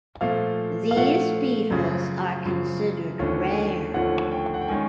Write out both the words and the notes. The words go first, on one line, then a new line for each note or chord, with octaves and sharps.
These beetles are considered rare.
A#2 F3 A3 F5
F5
A#2 F3 A3 F#5
F#2 C#3 F3
F#2 C#3 F3
D#2 D3 F3 A3 C#4
D#2 D3 F3 A3 C#4 F#5
G5
F#5
G5
D#3 G#3 C#4 G#5